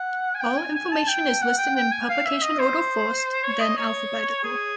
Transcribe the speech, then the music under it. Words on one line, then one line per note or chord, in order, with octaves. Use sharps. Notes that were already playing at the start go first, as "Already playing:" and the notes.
All information is listed in publication order first, then alphabetical.
Already playing: F#5
G#5
G5
G#5
G#5
A5
G5
F#5
G5
G5
G#5
F5
E5
D#5
C5
C#5
D#5
C#5
G#4